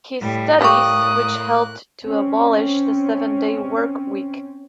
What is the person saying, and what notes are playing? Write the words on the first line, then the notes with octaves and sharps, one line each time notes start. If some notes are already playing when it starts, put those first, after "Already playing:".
His studies which helped to abolish the seven-day work week.
A2 G3
A2 G3 G4 A#4 F5 C#6 D#6 F#6
C4 C#4